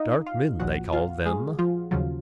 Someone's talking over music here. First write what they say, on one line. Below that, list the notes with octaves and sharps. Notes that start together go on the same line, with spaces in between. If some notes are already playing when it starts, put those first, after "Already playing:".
Dark men they call them.
Already playing: D#4 D#5 F5
F4 F5
A#1 A#2 F3 F#4 F#5
F4 F5
G#3 G#4
F3 F4
D#2 C#3 F3 F#3 F4